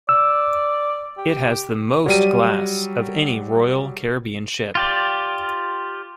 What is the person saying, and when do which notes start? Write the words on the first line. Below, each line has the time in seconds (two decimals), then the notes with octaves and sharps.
It has the most glass of any Royal Caribbean ship.
0.09 D5 E6
1.18 G4
2.06 F#3 G3 D#7
4.75 F4 G4 D5